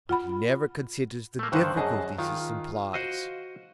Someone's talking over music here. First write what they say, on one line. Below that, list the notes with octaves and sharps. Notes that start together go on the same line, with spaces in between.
But he never considers the difficulties this implies.
F4 F#5 B5
A3 A#3
G2 D3 D#3 C5 C#6 F#6
F#2 G#4 D#5 A5
D#3 F4
F#4 C5 D#5